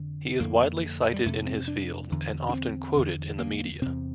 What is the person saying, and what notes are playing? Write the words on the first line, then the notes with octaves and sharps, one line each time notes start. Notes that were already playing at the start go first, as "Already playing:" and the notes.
He is widely cited in his field and often quoted in the media.
Already playing: F2 D3
F2 D3 A#3
G3
F2 C3 A3
C4
D4
E2 D3
D4
C4
E2 D3
A#3
E2 C3 C4